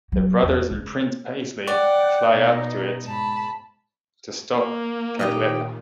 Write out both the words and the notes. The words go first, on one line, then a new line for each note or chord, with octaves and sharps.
The brothers and Prince Peasley fly up to it to stop Cackletta.
F#3
E2
C#3
D5 F#5 G5
B2 D#4
G#2 A5 B5
A#3
A#2 D#3 D#4 G4 D#5